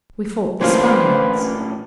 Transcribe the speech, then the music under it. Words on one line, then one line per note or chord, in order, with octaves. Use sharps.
We fought the Spaniards.
A2 E3 A#3 C#4 D4 F4 B4 C5